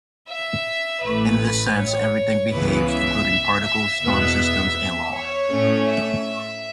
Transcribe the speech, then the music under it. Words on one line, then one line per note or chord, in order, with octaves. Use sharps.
In this sense, everything behaves, including particles, storm systems, and law.
E5
A1 A2 A3 B4
C#5
C#2 C#3 E3 B3 B4
E5
E5
E2 B2 B3
C#5
A2 A3 C#4
E5